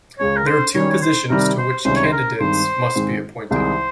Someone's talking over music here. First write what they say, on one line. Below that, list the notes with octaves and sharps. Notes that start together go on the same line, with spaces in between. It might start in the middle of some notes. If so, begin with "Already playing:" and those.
There are two positions to which candidates must be appointed.
C#2 C#3 G#3 C#4 C#5
A#4
C5
D#3 G3 C#4 C#5
C#5
C5
C3 D#3 G3 A#4
C5
C#2 C3 D#3 G3 C#4 C5
C#5
C5
A#4
G2 D#3 G#3 C4 D#4 C5
G#2 D#3 G#3 C4
C2 C3 D#3 G#3 D#4 C5